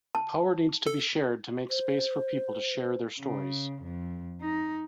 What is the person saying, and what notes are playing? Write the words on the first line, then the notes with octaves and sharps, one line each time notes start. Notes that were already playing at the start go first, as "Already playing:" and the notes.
Power needs to be shared to make space for people to share their stories.
A5
A4
C5
C#3
F2
D#4